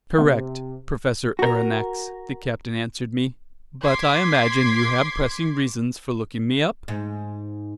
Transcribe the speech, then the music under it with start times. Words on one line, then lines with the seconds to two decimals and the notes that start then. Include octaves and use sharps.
"Correct, Professor Aronnax," the captain answered me. "But I imagine you have pressing reasons for looking me up?"
0.18 C3 A3 B3
1.39 F#4 A#4
3.82 C6 D6 G#6 B6 C7
6.88 G#2